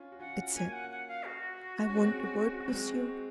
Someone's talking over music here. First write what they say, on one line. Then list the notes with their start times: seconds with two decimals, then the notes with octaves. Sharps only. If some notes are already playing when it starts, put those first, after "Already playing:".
It said: "I want a word with you."
Already playing: C#4 F4
0.12 F#4
0.20 C#4 F4 F#5
0.55 A#3 C#4 G#5
0.73 F#5
0.90 F#5
1.08 F5
1.26 F#4
1.89 C#4
1.97 G#3 C4
2.68 G#3 C4